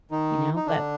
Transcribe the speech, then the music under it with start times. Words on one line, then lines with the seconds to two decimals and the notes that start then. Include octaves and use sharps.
You know, but
0.11 D#3 D#4
0.56 D#4
0.66 D3 D4